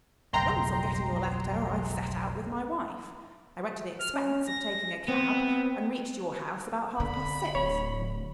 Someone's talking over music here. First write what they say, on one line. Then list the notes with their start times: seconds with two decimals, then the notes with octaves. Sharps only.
At once on getting your letter I set out with my wife, I went to the expense of taking a cab, and reached your house about half-past six.
0.33 F#1 B1 F2 G5 A#5 C6
3.99 F6
4.14 C#4
4.47 A#6
5.08 B3 C4
7.00 D3 B5
7.55 D1 C#5